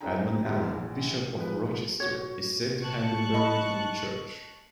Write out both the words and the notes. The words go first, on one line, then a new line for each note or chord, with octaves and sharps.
Edmund Allen, Bishop of Rochester, is said to have been buried in the church.
C4 D4 E4 G#4 G5 A#5
G1 G#2 F4 G4
A#1 E3 F#5
F3 G#3 B4
F#4 C#5
A5 C#6 F#6
D#5 B5